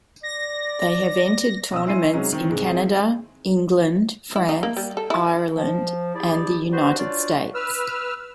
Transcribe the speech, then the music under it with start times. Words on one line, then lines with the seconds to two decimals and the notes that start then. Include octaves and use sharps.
They have entered tournaments in Canada, England, France, Ireland and the United States.
0.23 D5 A#6
1.72 B1 D#6 E6
1.87 E4 G#5 C6 C7 D#7
2.13 C3 F#3 G#3 C#4 D#4
2.33 D#3 C4
2.50 G#2 C3 G#3
2.67 C4 E4 G#4 C5
4.36 E4
4.49 D#4
4.63 A#3
4.77 G3
4.97 A4
5.10 E4
5.55 F3
6.15 D4 E4 G4 G#4 D5
6.71 G3 B3 F#4 B4 C5
6.97 C#4 D4 F4 F#4 D5
7.55 B4 E6 F6